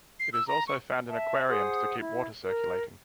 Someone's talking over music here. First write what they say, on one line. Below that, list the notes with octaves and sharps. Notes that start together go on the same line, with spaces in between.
It is also found in aquariums to keep water circulating.
C7
E6
A#5
C#6
E5 A5
G#4 C5 F#5 D#6
E4
A#4